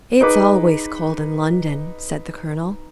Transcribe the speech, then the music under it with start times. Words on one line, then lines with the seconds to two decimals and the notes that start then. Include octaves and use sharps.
"It's always cold in London," said the colonel.
0.21 D#4 G#4 B4 D6